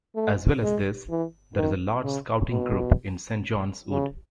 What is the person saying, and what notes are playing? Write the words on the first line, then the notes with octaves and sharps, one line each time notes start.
As well as this, there is a large Scouting group in Saint Johns Wood.
A3
G#3
E3
D#3
C#3
B2
C#3